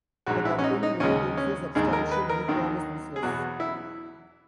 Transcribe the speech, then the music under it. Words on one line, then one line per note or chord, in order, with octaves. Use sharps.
The company maintains a substantial eCommerce business.
A#1 G#2 F#3 F#4
E4
C#4
D#4
D#4
D#2 C#3 G#3 C#4
C#4
D#2 D#3 G#3 G#4
A#4
B4
A#4
D#2 D#3 F#3
G#4
E2 B2 F#3 F#4
E4